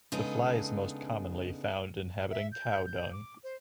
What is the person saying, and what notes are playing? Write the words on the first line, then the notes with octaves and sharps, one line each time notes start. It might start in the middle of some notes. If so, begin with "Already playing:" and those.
The fly is most commonly found inhabiting cow dung.
C#3 G#3 B3 D4 D#4 A4
E5
G6
G6
D6
C5